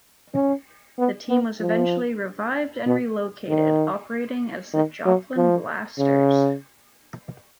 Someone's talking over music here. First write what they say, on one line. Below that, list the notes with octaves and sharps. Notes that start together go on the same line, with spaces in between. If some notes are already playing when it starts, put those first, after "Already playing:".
The team was eventually revived and relocated, operating as the Joplin Blasters.
C#4
B3
B3
F3
B2
D#3
D#3
F#3
F3
C#3